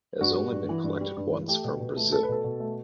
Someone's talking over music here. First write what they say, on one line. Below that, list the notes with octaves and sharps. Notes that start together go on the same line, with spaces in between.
It has only been collected once from Brazil.
G2 F#4
G3
G2
E3
G2
G3
G2
E3
A3 G4
B2
B2
A3
A3 A4
B4
B2 A4
B2
A3